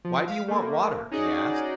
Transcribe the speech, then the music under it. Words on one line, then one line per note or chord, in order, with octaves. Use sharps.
"Why do you want water?" he asked.
F3
F5 B6
A3 A#3
C#4 D#4 F#4 G#4 D5 D#5